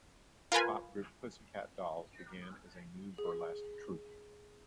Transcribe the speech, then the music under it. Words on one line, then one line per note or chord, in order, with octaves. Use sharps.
The pop group Pussycat Dolls began as a New Burlesque troupe.
F4 A#4 B4 G#5
G#4